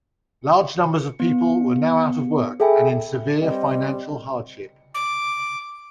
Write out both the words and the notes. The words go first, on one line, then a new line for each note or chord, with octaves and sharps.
Large numbers of people were now out of work and in severe financial hardship.
B3
G#4 A4 E5 G5 G#5 B5
G3 C4 D#5
D6